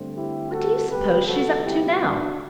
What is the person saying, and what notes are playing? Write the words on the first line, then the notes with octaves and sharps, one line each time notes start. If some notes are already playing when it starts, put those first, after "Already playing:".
"What do you suppose she's up to now?"
Already playing: G2 D3 A3 C4
E4 G4
F#4 A4
D2 C3 G3 B3 G4 B4
F#4 A4
E4 G4
D4 F#4